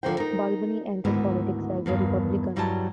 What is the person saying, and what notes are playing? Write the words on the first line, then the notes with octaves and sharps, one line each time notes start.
Balboni entered politics as a Republican.
D3 F3 F#4 A#4 C5 G5
D#4 A#4
D2 G#2 D#3 B3 E4
E2 G2 D#3 A#3
G2 F#3 G3 E4 A4 A5